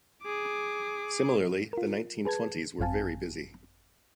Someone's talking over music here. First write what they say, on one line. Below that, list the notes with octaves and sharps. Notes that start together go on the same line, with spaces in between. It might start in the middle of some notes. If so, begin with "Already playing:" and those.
Similarly, the nineteen twenties were very busy.
G#4 D6
F4 A#4
G#4 B4 A5 G#6
G#1 F#2 C4 F5 G#5 A5